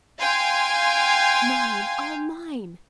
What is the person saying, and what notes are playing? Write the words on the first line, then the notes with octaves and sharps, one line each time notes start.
"Mine, all mine!"
F5 G5 G#5 C6